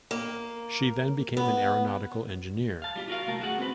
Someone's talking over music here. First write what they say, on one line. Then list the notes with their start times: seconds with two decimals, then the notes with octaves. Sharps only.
She then became an aeronautical engineer.
0.11 A#3
1.37 B3
2.82 F5 A5
2.96 G3 F4 G4
3.08 F4 F#4 A#4 F5
3.27 C2 A3 A#4 A5
3.40 A3 F#4 G#4 F#5
3.59 C4 B4